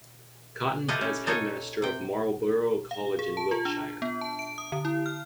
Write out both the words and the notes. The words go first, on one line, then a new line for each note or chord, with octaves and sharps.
Cotton as Headmaster of Marlborough College in Wiltshire.
E4 F4 G4 A4 B4 D#5
C#4
D#4 A4 C#5 D#5 F5
C3 G5
F5
G#4
A5
F4
D4
B3
A5
D7
D#6
D3
E4
F6